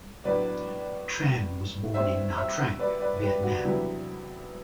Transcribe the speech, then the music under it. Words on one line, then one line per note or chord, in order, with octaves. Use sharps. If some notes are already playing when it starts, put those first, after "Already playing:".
Tran was born in Nha Trang, Vietnam.
A2 F#3 B3 D4 B4 D5
A2 G3 C4 C5 E5
C5 E5
B4 D5
B4 D5
G4 B4
F#4
E2 C3 F#3 B3 D4 E4 G4